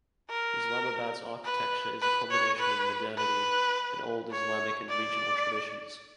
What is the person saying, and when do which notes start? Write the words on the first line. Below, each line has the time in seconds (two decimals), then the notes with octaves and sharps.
Islamabad's architecture is a combination of modernity and old Islamic and regional traditions.
0.29 A#4
1.44 B4
2.01 B4
2.31 C#5
2.59 B4
3.17 B4
4.31 C#5
4.89 D5